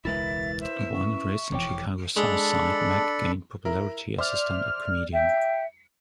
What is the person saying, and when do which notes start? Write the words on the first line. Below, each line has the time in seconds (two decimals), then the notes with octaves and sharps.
Born and raised on Chicago's south side, Mac gained popularity as a stand-up comedian.
0.05 E1 C#2 G#3 E4 A#4 B4 E5 A6
0.61 C5 E5
0.93 C#4 C#6
1.52 E1 F2 E3 C#5 G5 D6
2.17 G#3 D4 A4 B5
3.65 E4 A#4
4.18 C5 D5 E5 C6 F6
5.12 E5 G5